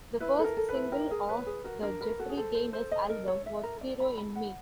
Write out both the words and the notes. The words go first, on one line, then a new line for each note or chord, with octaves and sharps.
The first single off the "Jeffrey Gaines" album was "Hero In Me".
E4 B4
A4
A#4
A4
B4
E4
A#4 G5
G#4
B4 C#5
G#4
F#4 A#4
D4 A#4
A#4 B4
F#4 A4
G#4
A4 C5
C5
C5
D#5
A#4
C#5
E5
A#4
D5
B5
B5
F#5